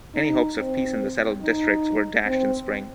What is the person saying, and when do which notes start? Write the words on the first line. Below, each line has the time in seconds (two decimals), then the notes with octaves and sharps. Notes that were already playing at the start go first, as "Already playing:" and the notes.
Any hopes of peace in the Settled Districts were dashed in spring.
0.15 D#4
0.56 C4
1.42 D#4
2.25 C4